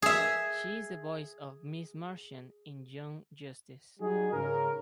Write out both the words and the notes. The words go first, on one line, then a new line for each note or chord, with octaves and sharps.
She is the voice of Miss Martian in "Young Justice".
G#4 E5
F#3 G3 D#4 F#4 G#4
G#2 C#3 A#4